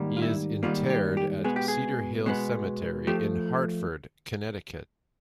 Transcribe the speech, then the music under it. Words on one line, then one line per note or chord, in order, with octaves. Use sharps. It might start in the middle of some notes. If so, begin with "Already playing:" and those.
He is interred at Cedar Hill Cemetery in Hartford, Connecticut.
Already playing: G#2 D#3 G3 A#3
F4
E4
G#2 D#3 G3 A#3 F4
G4
G4
B2 G#3 B3 G#4
G4
G#4
B2 G#3 B3
F3 A3 G4